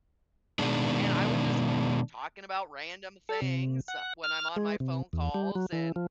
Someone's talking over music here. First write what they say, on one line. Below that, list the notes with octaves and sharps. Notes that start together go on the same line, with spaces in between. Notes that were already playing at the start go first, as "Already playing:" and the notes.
and I would just keep talking about random things when I'm on my phone calls and
B2 D#3 G#3 D4
A4
C3
F#5
F6
G#3
C3
E2
G3
F#3
E3
F3